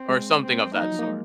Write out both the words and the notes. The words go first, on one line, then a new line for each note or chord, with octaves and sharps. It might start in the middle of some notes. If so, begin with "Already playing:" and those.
or something of that sort.
Already playing: C4
G#3
C4
A#3 D#4
F#3
F3
A#3
G#3